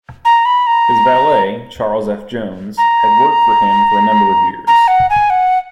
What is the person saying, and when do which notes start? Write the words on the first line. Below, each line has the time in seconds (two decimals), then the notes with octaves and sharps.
His valet, Charles F. Jones, had worked for him for a number of years.
0.25 A#5
0.45 B5
0.67 A#5
2.78 A#5
4.67 A#5
4.88 F#5
5.10 G#5
5.30 F#5